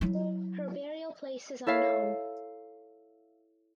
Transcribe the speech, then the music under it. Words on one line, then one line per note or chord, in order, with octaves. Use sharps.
Her burial place is unknown.
F#3 E4
E4 A4 C#5 E5 F5